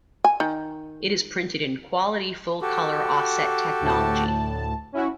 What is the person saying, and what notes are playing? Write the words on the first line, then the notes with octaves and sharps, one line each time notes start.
It is printed in quality full colour offset technology.
G#5
D#3
F#4 G4 A4
D2 A2 A5
C#4 E4 F#4